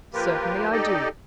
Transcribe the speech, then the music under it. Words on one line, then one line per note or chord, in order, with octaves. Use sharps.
"Certainly I do."
F3 A#3 F4 G4 A#4 B4
D#4 G4 A4 D5 D#5